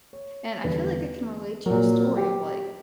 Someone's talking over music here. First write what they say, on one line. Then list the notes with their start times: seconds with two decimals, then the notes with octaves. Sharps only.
and I feel like I can relate to your story of, like,
0.13 C#5
0.64 E2 D3 G3 B4
1.66 A#2 F#3 A#4
2.17 G4